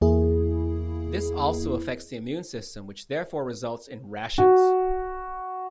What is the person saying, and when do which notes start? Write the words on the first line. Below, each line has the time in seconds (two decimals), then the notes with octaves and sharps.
This also affects the immune system which therefore results in rashes.
0.01 E2 A#3 E4 G#4
4.38 F#4